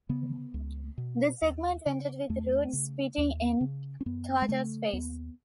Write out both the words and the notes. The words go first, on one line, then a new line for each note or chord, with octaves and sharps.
The segment ended with Roode spitting in Carter's face.
C#3 B3
C#2
B2
D#2
C#3
E2 A3
C#3
D#2
C#3
C#4
F#2 B3
G#3
C#3 A3
D#2 B3